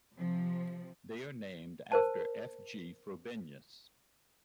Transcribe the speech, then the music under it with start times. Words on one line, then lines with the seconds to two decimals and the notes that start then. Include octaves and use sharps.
They are named after F. G. Frobenius.
0.15 C3 F3
1.92 A#4 C5 A5